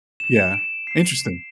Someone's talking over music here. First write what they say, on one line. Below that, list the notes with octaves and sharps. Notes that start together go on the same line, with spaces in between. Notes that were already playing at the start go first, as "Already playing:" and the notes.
Yeah. Interesting.
E7
E7
E7
D7
C7